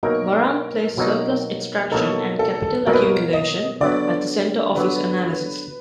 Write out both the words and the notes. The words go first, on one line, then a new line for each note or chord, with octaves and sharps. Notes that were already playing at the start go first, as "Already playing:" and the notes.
Baran placed surplus extraction and capital accumulation at the center of his analysis.
B2 F#3 A#3 D#4 A#4
B2 F#3 A#3 D#4
B2 F#3 A#3 D#4 A4
A4
B2 F#3 A#3 D#4 A#4
B4
A#4
D#5
D3 F#3 B3 D5
D3 F#3 B3 B4